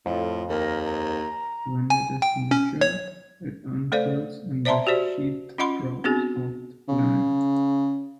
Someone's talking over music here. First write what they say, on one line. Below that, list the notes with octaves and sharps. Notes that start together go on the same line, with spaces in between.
When it is mature, it unfurls and the sheath drops off the plant.
F2 A2 F4
D#2 A#4
A#5
G#5
G5
C#4
C#5
A3 A4 C5 D5 F5
C5 D5 E5 A5 A#5 C6
F#4 G4 C5 D5
C#4 F4 D#5 F#5 B5 C6
B3 C4 D4 F#4 G#4
C#3